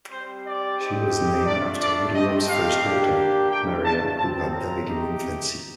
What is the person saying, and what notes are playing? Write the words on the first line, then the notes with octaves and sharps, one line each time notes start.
She was named after William's first daughter, Maria, who had died in infancy.
G3 C4 G4 C5
D5
C4 D#4 G4
A3 D4 F4 D5
D5
A3 C4 D#4 G4 D#5
F5
A#3 D4 G4
A3 D4 F4 G5
A5
C4 F4 A5
A#5
A3 D#4 G4